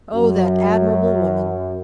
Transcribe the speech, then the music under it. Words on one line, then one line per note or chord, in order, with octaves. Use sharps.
Oh, that admirable woman!
F#2 F#3